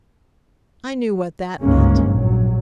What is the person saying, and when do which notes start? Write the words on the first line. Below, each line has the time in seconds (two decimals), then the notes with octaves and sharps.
I knew what that meant.
1.62 G1 C#2 G#2 G#3 A#3 C#4
2.06 A#1 F#3